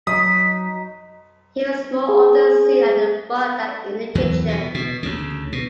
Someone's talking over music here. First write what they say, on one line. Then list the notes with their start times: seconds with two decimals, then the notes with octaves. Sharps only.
He was more often seen at the bar than in the kitchen.
0.07 F#3 D#4 D#6 B6
2.09 G#4
4.15 E2 E3 F#3
4.48 B2
4.75 B2
5.03 D2 C#3
5.52 B2